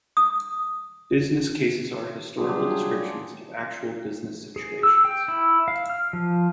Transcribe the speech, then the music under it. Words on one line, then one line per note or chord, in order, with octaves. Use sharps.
Business cases are historical descriptions of actual business situations.
D#6
F#3 G3 D4 F4 G4 G#4
G#4
E6
G5
E4
F5
F6
F3